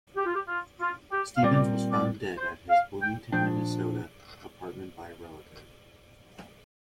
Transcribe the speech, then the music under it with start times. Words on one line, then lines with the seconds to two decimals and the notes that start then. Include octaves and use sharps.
Stephens was found dead at his Bloomington, Minnesota apartment by a relative.
0.16 G4
0.26 F4
0.34 G4
0.48 F4
0.80 F4
1.11 G4
1.36 F5
1.43 A#2 G3 C4 D5
1.91 D5
2.38 C5
2.70 F5
3.01 G5
3.32 A#2 F3 D4 G5